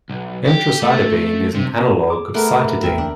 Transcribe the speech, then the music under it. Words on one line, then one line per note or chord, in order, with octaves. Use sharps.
Emtricitabine is an analogue of cytidine.
B1
G4
A3
C3
G#4 D6
A3 B3 A4 A#4
A1 E2 A#4 E5 G5
D2 D4